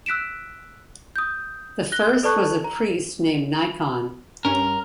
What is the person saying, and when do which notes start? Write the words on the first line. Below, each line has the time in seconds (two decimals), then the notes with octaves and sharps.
The first was a priest named Nikon.
0.06 E6 F#6 B6 D7 E7
1.16 D#6 G6
1.92 F#6 A#6 G7
2.23 A4 B4 D5 A5 C#6 F#6
2.64 A#5
4.45 G2 C#4 A#4